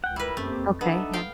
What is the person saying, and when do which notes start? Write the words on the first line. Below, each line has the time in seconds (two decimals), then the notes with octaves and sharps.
Okay. Yeah.
0.04 C#2 F#5 G5
0.16 G3 E4 A#4 B4
0.37 F#2 A3 A#3 C4 G4
0.53 F2
0.81 B3 D4 D#4 A4 E5
1.13 F5 G5